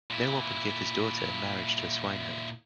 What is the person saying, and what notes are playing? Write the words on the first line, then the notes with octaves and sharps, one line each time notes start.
No one would give his daughter in marriage to a swineherd.
A#2 E4